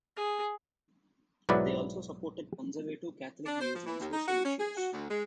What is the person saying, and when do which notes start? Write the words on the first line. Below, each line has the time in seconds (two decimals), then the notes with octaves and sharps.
They also supported conservative Catholic views on social issues.
0.17 G#4
1.49 B1 G#2 F#3 E4 B4 D5
3.46 D4
3.61 C5
3.75 F3
3.86 E3
4.00 D#2
4.12 D#4
4.28 F#4
4.45 C#4
4.60 G#4
4.77 F#4
4.92 D2
5.10 G#3